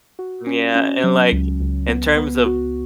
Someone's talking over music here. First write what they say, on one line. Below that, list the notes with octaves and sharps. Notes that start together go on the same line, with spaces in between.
Yeah, and like in terms of
F#4
C#4
C#4
F#3
C#2
C#2
B3
B3
F#4